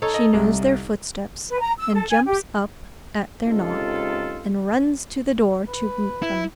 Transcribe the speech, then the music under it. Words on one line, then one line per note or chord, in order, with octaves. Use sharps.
She knows their footsteps, and jumps up at their knock, and runs to the door to meet them.
D#4 A4 C#5
D#5
C2
B4
A#5
E6
A4
G#5
G4
C#2 C3 D#4 F4 A4
B4
E4